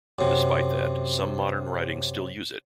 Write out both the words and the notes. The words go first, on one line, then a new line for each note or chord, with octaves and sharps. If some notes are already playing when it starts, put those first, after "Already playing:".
Despite that, some modern writings still use it.
F#2 C3